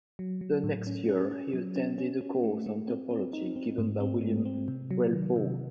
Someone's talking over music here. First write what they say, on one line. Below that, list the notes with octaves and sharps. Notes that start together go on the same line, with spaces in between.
The next year he attended a course on topology given by William Threlfall.
F#3
F#3
A2
C#4
C#4
C#4
F#3
C#4
C#4
C#4
A3
A3
C4
C4
D#4
C4
G#2
C4
G#3
C4
C3
F#3
D#3
C3